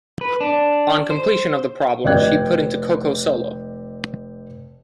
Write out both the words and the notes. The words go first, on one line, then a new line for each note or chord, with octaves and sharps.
On completion of the problem, she put into Coco Solo.
B4
D4
C5
F1 D5 D#5 G5 F#6 G#6